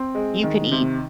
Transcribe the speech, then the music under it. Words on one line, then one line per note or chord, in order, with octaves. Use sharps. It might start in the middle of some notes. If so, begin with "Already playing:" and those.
You can eat
Already playing: C4
G#3
D#3
C3